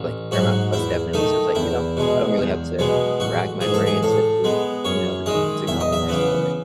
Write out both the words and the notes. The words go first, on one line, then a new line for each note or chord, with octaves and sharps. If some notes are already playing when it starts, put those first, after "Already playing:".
like, Paramount Plus definitely, so it's, like, you know, I don't really have to rack my brain, especially, you know, the to compromise for it.
Already playing: A1
G#2 F#3 F#4
E2 E4
D#3 A3 D#4
E2 E4
B2 G#3
E2
B2 G#3 B3
A1 F#4
G#2 E3 G#4
A4
G#4
A2 A4
G#3 B3
F#2 C#5
D#3 G#3 D#5
E2 E5
D#5
E5
C#3 E3 B3